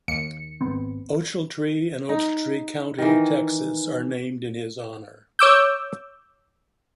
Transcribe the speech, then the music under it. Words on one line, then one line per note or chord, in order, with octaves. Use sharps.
Ochiltree and Ochiltree County, Texas are named in his honor.
D#2 C#7
G#1 B3 C4
D#4
D#3 E3
C#5 D6 E6 G6